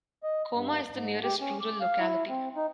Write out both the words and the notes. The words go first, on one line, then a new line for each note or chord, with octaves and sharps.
Koma is the nearest rural locality.
D#5
G2
G#2
G4
C#4
D6
F5
E4
C4
D#4